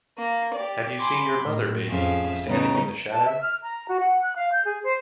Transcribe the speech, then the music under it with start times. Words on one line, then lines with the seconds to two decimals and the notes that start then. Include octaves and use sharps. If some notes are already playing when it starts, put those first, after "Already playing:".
Have You Seen Your Mother, Baby, Standing in the Shadow?
0.17 A#3
0.52 G4 D5
0.99 G#5 B5 C6 D6
1.44 A2
1.88 F2 C#4 G#4 E5 F5
2.46 C#3 G3 B3 C#4 D#4
3.13 A5
3.25 E5
3.43 F6
3.63 A#5
3.88 F#4
4.00 F#5
4.23 F#6
4.37 F5
4.52 G6
4.65 G#4
4.83 C5